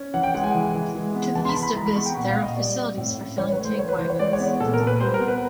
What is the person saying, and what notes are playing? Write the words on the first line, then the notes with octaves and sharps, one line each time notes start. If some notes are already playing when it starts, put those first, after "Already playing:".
To the east of Visp, there are facilities for filling tank wagons.
Already playing: C#4
E3 F#5
G5
G#3 F#5
G#5
E3
E3
G#3
B3
E3 A5
C6
B5
E3
B5
G#3 A#5
B5
B3 C#6
G5
A#2 F#5
F5
A#2
D#5
G3 D5
C4
A2
C#4
E3 C#5
B4
A3
C5
E3 C#5
B4
E3 C5
C#5
G#3 D5
C#5
B3
A#2 A4
A#4
A#2
B4
G3 C5
A#4
B3
B4